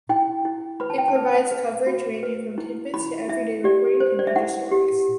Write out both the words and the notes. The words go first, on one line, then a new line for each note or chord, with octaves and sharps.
It provides coverage ranging from tidbits to everyday reporting to major stories.
E4 G5
E4
B4 B5
A5
G5
A5
B4
B4
F#4
B4
E4
E4 B5
E4 E5
G4 D5
C5
D5
E5
E4 F#5
G4